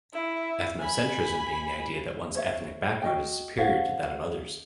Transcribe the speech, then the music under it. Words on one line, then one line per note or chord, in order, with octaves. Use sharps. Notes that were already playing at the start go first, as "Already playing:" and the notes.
Ethnocentrism being the idea that one's ethnic background is superior to that of others.
E4
G#5 B5
C5 C#5 E5
F#4 D#5 G5
C#4 C5 F5 F#5